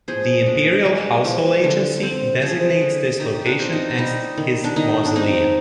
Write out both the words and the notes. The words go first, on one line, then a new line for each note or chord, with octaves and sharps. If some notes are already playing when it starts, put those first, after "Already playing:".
The Imperial Household Agency designates this location as his mausoleum.
F3 G#4 C5
D4
G#3
F3
D3
C4
F3 G#4 C5
D3
D#3 D#4 G4
D4 F4
C4
D#4
G3 D#4
D#3
D4
D#3 D#4
D4
C4 D#4